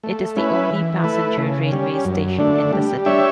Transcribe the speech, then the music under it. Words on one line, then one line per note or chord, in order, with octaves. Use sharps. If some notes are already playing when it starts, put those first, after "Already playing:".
It is the only passenger railway station in the city.
A3
C#4 E4 B4
E3
A3 E4 B4
C#3
G3 C#4
F#2
D3 A3 D4
G3
D4 G4 C#5 E5